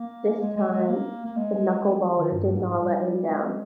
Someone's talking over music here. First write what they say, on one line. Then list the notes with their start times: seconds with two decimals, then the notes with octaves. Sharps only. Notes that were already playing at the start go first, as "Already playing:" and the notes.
This time, the knuckleballer did not let him down.
Already playing: A#3
0.40 G#3
0.56 G#3
0.72 G#3
0.88 A#3
1.25 A#3
1.37 G#3
1.84 G#3
2.16 D#3
2.32 G2
2.56 G#2
2.79 G3
3.27 G#3